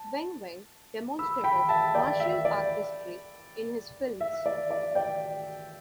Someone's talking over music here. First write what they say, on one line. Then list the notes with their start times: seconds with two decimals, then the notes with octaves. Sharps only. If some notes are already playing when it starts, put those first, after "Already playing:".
Weng Weng demonstrated martial artistry in his films.
Already playing: A5
1.19 B5 E6
1.44 G5 B5
1.69 E5 A5
1.95 D5 G5
2.20 E5
2.45 D5
4.21 E5
4.46 D5
4.71 D5
4.95 D5 G5